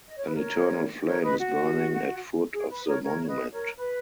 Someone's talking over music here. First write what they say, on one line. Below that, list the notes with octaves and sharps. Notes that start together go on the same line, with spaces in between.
An eternal flame is burning at foot of the monument.
D#5
C#5
B4
A#4 C#5
A#4 C#5
B4 D#5
F#4
G#4
B4
A#4 C#5
A#4 C#5
C#5
B4 D#5
A#4 C#5
B4